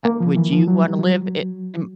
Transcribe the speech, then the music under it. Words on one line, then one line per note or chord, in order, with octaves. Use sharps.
Uh, would you wanna live i m
A#3
F3
E3
F3
F#3
G3
F#3